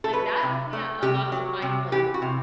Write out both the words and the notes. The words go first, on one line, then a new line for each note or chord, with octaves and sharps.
like, that helped me out a lot to find, like,
A4
F#3 B4
C3
A3
C3 G4
F#3
C3
E3 G4
F#4
C3